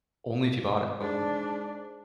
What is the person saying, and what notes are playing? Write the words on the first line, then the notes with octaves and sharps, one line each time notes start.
Only if you bought it. Okay.
G#2 D4